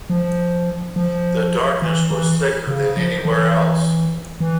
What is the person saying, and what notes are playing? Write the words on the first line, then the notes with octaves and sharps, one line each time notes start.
The darkness was thicker than anywhere else.
F3
F3
E3
E3
C#3
F3
E3
E3